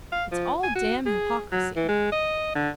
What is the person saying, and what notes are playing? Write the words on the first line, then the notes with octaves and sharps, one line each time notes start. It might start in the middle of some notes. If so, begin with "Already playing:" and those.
It's all damned hypocrisy.
F5
F3
G#5
F#4
G#4
F#3
E3
G#3
D#5
D3